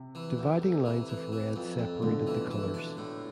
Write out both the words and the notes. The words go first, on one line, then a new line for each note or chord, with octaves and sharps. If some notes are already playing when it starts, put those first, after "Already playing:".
Dividing lines of red separated the colors.
Already playing: C3
E3
D2
D2
E3
E3
E3
F2
F2
F2 B2 D3
E3
E3
D4
A2